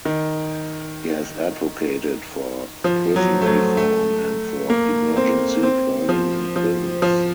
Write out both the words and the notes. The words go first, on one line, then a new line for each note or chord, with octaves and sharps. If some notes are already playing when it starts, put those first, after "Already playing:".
He has advocated for prison reform and for emergency planning in prisons.
D#3
F3
F#3
A3
F#3
A3
A#3
C4
C4
F3
F3
F3